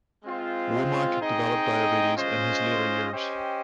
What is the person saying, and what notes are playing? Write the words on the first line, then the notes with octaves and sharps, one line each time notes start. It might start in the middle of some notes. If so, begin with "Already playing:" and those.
Womack developed diabetes in his later years.
G#3 C4 F4 C5
C4 D#4 G#4 D#5 G5
G#3 C#4 F4 C5 D#5
C#4 G4 C5 D#5 G5